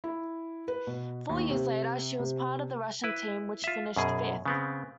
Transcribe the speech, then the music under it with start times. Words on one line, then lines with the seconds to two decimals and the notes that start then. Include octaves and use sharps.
Four years later she was part of the Russian team which finished fifth.
0.04 E4
0.68 B4
0.87 B2
1.30 D#2
1.50 C3
2.19 C3
3.04 E4 B4
3.64 F4 E5
3.96 F#2 B2 G#4
4.46 C#3 B3 C4